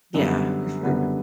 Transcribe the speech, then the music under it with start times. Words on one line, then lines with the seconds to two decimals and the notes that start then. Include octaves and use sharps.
Yeah. For sure.
0.14 F#2 D3 G3 B3
0.83 F#2 D3 G3 B3